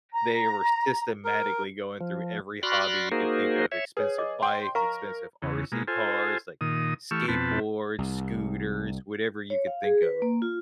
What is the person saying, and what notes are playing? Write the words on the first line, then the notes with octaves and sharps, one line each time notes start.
they were systematically going through every hobby you could think of. Expensive bikes, expensive RC cars, like, skateboards, scooters, whatever you could think of.
A#5
A#4
F3
F#4 D5 B5 C6 F6 F#6
A#3 D#4 F#4 G#4 A#4 C5
C#5 E5
G#4 B4 C#5
D#5 D6
G5 C6
A#4 F5 A#5 C#6
E2 C#3
B2 G#3 A#3
F4 A4 C5 G#5
A#2 D#3 D#6
E3 A3 G4 C#6 E6 F6
F2 B2 C4 B4 A5
C2
C#5
F5
G#4
B4
A#3
F4